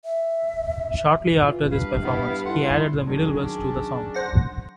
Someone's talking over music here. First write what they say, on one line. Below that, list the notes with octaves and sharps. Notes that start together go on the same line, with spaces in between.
Shortly after this performance, he added the middle verse to the song.
E5
E3 F4
G2 B4 F5
B3 E4
E4 A4 F#5 C6
D#3 F#3 C#4 D4 G#4
C5 F#5 A#6